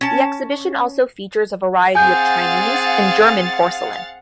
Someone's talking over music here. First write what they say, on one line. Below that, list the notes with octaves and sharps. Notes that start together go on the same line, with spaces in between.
The exhibition also features a variety of Chinese and German porcelain.
C#4 A5
C4 G#4 F5 F#5 G#5 G6 A6